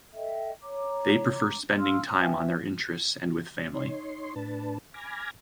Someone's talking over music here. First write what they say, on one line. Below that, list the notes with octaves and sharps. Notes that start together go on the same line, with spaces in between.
They prefer spending time on their interests and with family.
A4 D#5 E5 G5
C#5 A#5 D6
F5 C6 E6 F6
B4 E5 G5 G#5
D#4 C#5 C6
A2 D4 B4 A5
G#5 B5 D6 F6 G#6 A#6